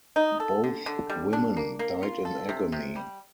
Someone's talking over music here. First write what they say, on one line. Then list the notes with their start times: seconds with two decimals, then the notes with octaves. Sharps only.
Both women died in agony.
0.16 D#4
0.40 A4
0.64 D3
0.86 D3
1.10 G3
1.33 D4
1.57 A#3
1.79 A#3
2.03 F4
2.25 A4
2.49 C3
2.72 C3
2.96 G3